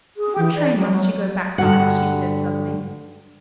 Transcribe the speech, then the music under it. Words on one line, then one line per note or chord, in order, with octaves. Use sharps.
"What train must you go back by?" she said suddenly.
G#4
E3
D5
F#3
F#3
G2 D3 F#4 C#5 F#5